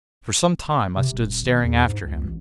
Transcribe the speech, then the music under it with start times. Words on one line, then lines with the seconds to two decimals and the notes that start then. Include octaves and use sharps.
For some time I stood staring after him.
0.96 C3
1.10 D#1
1.42 G#1
1.63 E2
1.86 G#2
2.03 C#2
2.25 A1